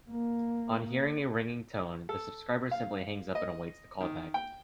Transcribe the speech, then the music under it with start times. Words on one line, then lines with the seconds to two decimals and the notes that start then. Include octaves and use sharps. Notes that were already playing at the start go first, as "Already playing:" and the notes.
On hearing a ringing tone, the subscriber simply hangs up and awaits the callback.
0.11 A#3
2.09 A4
2.71 F5
3.35 D#5
4.00 D#3
4.34 G5